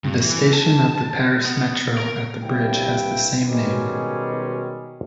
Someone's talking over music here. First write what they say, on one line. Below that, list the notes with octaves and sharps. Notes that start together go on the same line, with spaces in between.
The station of the Paris Metro at the bridge has the same name.
G2
E3
A5
B3
A#4
C2 G2 E4 G5
B2 D#3 G3 G#3 C#4